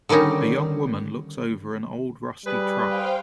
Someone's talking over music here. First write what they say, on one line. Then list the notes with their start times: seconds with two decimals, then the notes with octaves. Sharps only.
A young woman looks over an old rusty truck.
0.09 D3 D#3 G3 C#4 D#4
2.46 G3 G#4 B4
2.85 C5 F5 G5